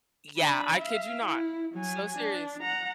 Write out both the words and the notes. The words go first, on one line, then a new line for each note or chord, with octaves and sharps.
Yeah, I kid you not. So serious.
D4 B5
E5 F5
E4
F#3 G#5
D4
F#5 A#5